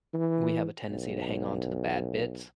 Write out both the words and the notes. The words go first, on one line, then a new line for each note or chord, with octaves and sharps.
we have a tendency to hang on to the bad bits.
E3
B1